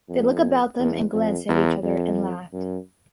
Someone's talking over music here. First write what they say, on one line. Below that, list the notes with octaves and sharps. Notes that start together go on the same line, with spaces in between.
They looked about them and glanced at each other and laughed.
F2
E2
F2
E2
F2
F#2